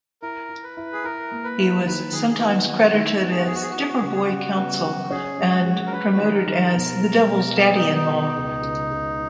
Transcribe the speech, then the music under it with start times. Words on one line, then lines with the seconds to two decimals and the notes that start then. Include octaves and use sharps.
He was sometimes credited as Dipper Boy Council and promoted as "The Devil's Daddy-in-Law".
0.22 E4 A#4
0.49 E4
0.63 B4
0.77 E4
0.92 G#4
1.04 E4 A#4
1.31 A#3
1.44 B4
1.58 E4
1.85 D#3 B4
2.12 D#3 G#4
2.30 G#4
2.39 B3 F#4
2.67 D#3 F#4
2.93 D#3 E4
3.21 B3 F#4
3.30 G#4
3.38 F#4
3.46 B3 G#4
3.55 F#4
3.63 G#4
3.71 F#4
3.75 E4 G#4
3.89 F#4
3.97 G#4
4.02 C#3 F#4
4.14 G#4
4.23 F#4
4.30 C#3
4.57 B3
4.84 F#3
5.10 C#4 G#4
5.38 G#3
5.52 F#4
5.65 G#3
5.87 A#4
5.92 C#4 B4
6.13 F#4
6.19 D#3 G#4
6.33 A#4
6.46 D#3
6.73 B2
7.01 G#3
7.28 B2
7.55 B3 G#4
7.75 D#4
7.83 B3
7.95 D#4
8.09 B2
8.16 D#4
8.37 C#2
8.63 C#2
8.91 C#2